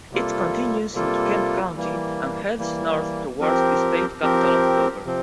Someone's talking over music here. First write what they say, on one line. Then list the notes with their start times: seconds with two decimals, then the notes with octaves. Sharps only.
It continues into Kent County and heads north towards the state capital of Dover.
0.12 C3 G3 A#3 F4 A4
0.94 C3 G3 A#3 F4 A4
1.76 E3 G3 A#3
2.58 E3 G3 A#3
3.40 F3 C4 G4 A#4
4.22 F3 C4 G4 A#4
5.06 C3 F3 C4